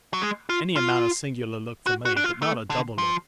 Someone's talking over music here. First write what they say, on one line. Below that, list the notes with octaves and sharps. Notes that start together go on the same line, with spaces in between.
Any amount of singular look for me, but not a double look!
F#3
G#3
F4
F4
F#4
F#4
D4
F4
A3
D3
F3